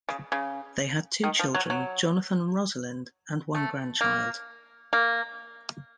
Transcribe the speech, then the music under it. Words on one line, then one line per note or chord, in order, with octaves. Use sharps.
They had two children, Jonathan and Rosalind, and one grandchild.
C#3
C#3
D#3
F3
F#3
F#3
A3
A#3
A#3